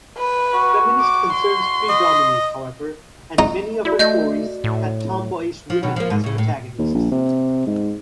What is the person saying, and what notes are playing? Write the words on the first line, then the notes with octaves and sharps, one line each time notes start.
Feminist concerns predominate, however, and many of her stories had tomboyish women as protagonists.
B4
F#4
D6
F#4 C6
D#5
D#4
E4 F#4 D5
A3 D#5 G6
A2
F3
B2 D#3 F#3
F3 A#3
G#2
A2 C#3
A2
D#2
A#1
C3
G#2